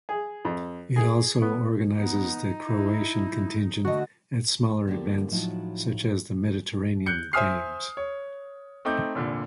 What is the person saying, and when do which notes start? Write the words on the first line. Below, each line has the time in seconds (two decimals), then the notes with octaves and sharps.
It also organizes the Croatian contingent at smaller events such as the Mediterranean Games.
0.09 G#4
0.45 F2
0.96 G#4
1.42 B3
1.98 B3 D#4
2.64 E4
3.85 D3 A3 F#4 D#5
4.87 D3 F3 A#3 D4 G4
5.31 A2 F3 F#3 D#4 E4 F#4
7.06 F#6 G6 C#7
7.33 C5 E5 G#5 D#6 F6 C7
7.97 C#5
8.85 A3 C4 D#4 D6 G6
9.15 F1 A#2 D3